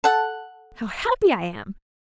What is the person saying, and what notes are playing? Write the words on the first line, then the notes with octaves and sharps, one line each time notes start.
How happy I am!
A4 F#5